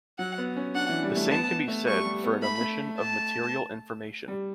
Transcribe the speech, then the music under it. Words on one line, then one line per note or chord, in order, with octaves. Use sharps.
The same can be said for an omission of material information.
F#3 F#5
B3
C#4
D4 F#5
E3
G3
A3
B3 A5
B3
A3
G3 C#6
G3
B3
A3 B5
A3
A5
G3